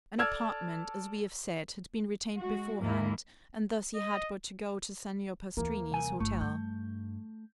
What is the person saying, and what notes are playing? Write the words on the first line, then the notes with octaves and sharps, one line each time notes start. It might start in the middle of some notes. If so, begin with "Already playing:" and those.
An apartment, as we have said, had been retained beforehand, and thus he had but to go to Signor Pastrini's hotel.
A4 D5 A5 E6 F6 G#6
G#3 F#4
D#2 G#2 G#3 A#3 E4
D#5
D#2 E3 A#3
C2 G#5
G1 A3
G2 G6